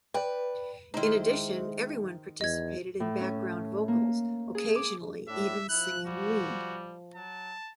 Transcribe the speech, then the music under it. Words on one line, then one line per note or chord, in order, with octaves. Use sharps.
In addition, everyone participated in background vocals, occasionally even singing lead.
B4 D5 G5
D#3 G#3 D#4 E4 C5
E2 D#5 G#6
A2
C#4
A#3
G#4
D6
A2 D4 E5
F3 E4 F#6
G3 F#4
F#3 A5